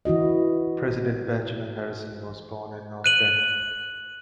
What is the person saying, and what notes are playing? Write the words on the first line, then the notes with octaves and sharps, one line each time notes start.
President Benjamin Harrison was born in North Bend.
E3 E4 F#4 D#5
F#6 D#7 F#7